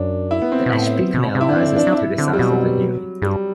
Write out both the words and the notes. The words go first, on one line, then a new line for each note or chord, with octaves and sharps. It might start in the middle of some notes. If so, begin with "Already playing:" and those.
The Ashby Canal passes to the south of the hill.
Already playing: F#2 D4
E4
B3
C4
B2
A2
B2
C3
E4
D3 D4
E3 C4
D3
E3 D4
F#3
D4
E4
D3 C4
G3
B2 F#3
G2 G3